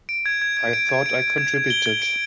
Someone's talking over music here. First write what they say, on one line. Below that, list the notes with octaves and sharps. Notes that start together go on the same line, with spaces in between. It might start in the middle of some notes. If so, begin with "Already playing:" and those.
I thought I contributed.
D7
G#6
G#6
G#6
D7
G#6
D7
D7
G#6
G#6
G7
G#6
D7